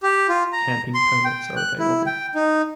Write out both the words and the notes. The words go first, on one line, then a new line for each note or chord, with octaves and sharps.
Camping permits are available.
G4
F4
A#5
C6
G5
F#6
E4
G5
D#4